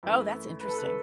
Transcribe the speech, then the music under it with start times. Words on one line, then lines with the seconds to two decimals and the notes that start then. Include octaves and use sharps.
Oh, that's interesting.
0.03 F#2 E3 A3 E4
0.60 B4
0.68 A4
0.78 B4